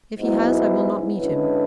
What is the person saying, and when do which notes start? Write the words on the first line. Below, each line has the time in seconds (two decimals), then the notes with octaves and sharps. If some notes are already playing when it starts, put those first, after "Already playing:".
If he has, I will not meet him.
0.18 G#2 F#3 B3 E4
1.17 D3 G#3 C#4 E4 B4